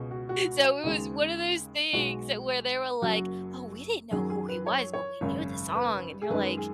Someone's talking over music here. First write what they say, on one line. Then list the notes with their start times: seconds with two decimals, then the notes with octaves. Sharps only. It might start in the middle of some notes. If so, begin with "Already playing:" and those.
so, it was one of those things that where they were like, "Oh, we didn't know who he was, but we knew the song." And you're like,
Already playing: C#2 B2 G#3
0.11 F#4
0.29 F#4
0.83 D#2 C#3 G#3
1.93 B1 B2 G#3 F#4
3.02 F#1 F#2 F#3 F#4
4.11 F#2 D#3 F#3 G#4
4.30 G#4
4.48 B4
4.67 C#5
4.93 C#5
5.21 G#1 F#2 C#3
5.75 B4
6.22 G#4
6.30 F#2 D#3 G#3 B4
6.57 G#4